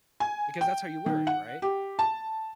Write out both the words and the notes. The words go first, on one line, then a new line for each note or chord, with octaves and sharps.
Because that's how you learn, right,
G#5
G5
D#3
F#5
G4
A5